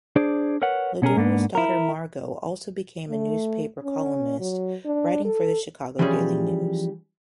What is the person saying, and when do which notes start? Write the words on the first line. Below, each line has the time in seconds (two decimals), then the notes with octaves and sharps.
Lederer's daughter Margo also became a newspaper columnist, writing for the "Chicago Daily News".
0.16 D4 G#4 C5 D5
0.62 A#4 B4 C#5 F#5
1.02 B2 C#4 G#4 A#4
1.17 G#2 A#3 B3 D4
1.55 E4 A#4
3.10 A3
3.84 C#4
4.40 F#3
4.86 D4
5.25 A4
5.99 E3 F3 G3 C#4 G#4